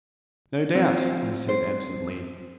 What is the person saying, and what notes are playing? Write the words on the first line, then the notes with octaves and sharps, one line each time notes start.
"No doubt," I said absently.
F3 C4
C5